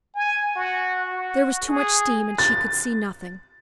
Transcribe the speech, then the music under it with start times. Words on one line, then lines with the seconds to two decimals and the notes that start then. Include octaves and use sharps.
There was too much steam and she could see nothing.
0.15 G#5
0.55 F#4
1.12 F#4
1.69 G#4
2.38 A6